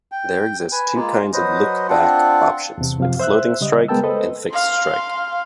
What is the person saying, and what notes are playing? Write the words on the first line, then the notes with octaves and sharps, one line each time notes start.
There exist two kinds of lookback options: with floating strike and with fixed strike.
G5
B4 G#5
G#3 A#3 F4
F#3 B4 C5 D#5
C4 D4 F4 F#5
E2 C3
F#2 C3 F3 F5
C5 E5 E6 F#6
C#3 G3 D#5
G#3 B3 A#4 G5 A5 E6
A4 B4 C5 D#5
F5 C6